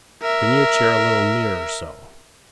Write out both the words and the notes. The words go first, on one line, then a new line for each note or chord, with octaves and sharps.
Bring your chair a little nearer--so.
A#4 E5